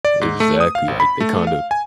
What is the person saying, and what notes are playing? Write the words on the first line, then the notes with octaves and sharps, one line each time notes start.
Exactly, like, they kinda
D5
G#2
A3
D#6
F5
G#1
B5
A3
F5
G#5